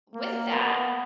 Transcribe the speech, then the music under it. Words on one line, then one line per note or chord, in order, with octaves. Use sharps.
with that,
A#3
B3